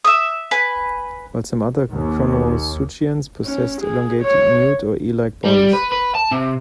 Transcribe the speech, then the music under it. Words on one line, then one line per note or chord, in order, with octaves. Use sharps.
While some other Chroniosuchians possessed elongated newt- or eel-like bodies.
E5 D#6
B4 G#5
D#2
C#4
G#4
C#5
G3
B4
B4
A5
C3